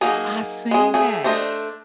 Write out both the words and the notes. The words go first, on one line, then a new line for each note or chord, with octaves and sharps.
I seen that.
F#3 A#3 D#4 G#4
G#3 G#4
A3 G#4
A3 D4 C5 D#5